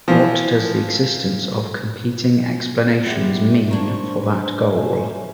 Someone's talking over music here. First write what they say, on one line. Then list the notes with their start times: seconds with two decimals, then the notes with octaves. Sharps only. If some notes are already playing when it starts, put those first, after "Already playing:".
What does the existence of competing explanations mean for that goal?
0.08 E3 F3
3.06 G#3 B3 E4 G4
3.71 A#3 D4 C5 C#6
4.22 B4
4.69 A3 C#4 C5